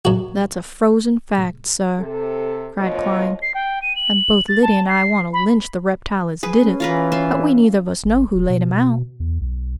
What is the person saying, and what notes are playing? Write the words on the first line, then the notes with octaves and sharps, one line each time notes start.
"That's a frozen fact, sir," cried Clyne, "and both Lyddy and I want to lynch the reptile as did it; but we neither of us know who laid him out."
F#2 F#4
C3 A4
D2 B2 F3 F4 C#5 D#5
C7
G5
D#7
F#7
A6
A5
C7
B5
G#4 B4
C#4
E3 F4 A#4 B4
F4 E5 C6
G1
D#1
B2
B2
E2
B1